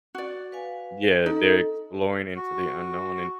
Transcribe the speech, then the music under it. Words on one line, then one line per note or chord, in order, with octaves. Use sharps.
Yeah, they're exploring into the unknown in
F#4 D5
B4 F5 G#5
D#4 A4
F#4